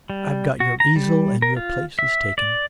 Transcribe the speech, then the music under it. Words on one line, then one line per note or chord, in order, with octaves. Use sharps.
I've got your easel, and your place is taken.'
G3
F#4
A#5
G3
A#4
F4
E5
D5